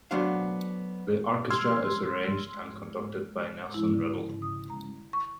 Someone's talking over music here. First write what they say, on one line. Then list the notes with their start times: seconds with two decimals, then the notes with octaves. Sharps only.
The orchestra is arranged and conducted by Nelson Riddle.
0.11 F#3 A3 B3 D4 C5 F5
1.50 C6 E6 F6 G#6
3.74 E4
3.93 D3
4.42 D#6
4.70 A#5
5.13 C#6